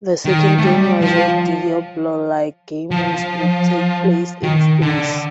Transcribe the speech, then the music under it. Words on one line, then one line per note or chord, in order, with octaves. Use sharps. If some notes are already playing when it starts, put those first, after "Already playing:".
The second game was Diablo-like game which would take place in space.
D#3
A3
G3
F3
F3
D#3
D3